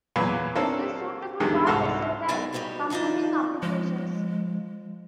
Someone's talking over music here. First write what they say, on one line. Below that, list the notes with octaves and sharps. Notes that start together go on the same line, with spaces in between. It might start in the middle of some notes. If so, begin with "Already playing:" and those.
It is suitable for versatile computing applications.
E2 A#2 F#3 F4 B4 B5
A#3 C4 D4 A4 C#5
E2 D3 D#3 G3 G#3
C2 G#2 F#4 A4 C6 F6
F#3 G#3 B3 D#4 D5 G#5
G3 D#4 F#4 G4 C5
D#3 F3 D#4 E4 D5
F3 G#3